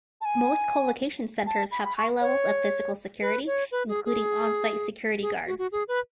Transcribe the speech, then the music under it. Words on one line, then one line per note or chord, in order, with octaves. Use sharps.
Most colocation centres have high levels of physical security, including on-site security guards.
A5
G#5
A5
B5
B5
C#6
C#5
B4
C#5
B4
G#4
G#4
G#4
F#4
F#4
G#4
B4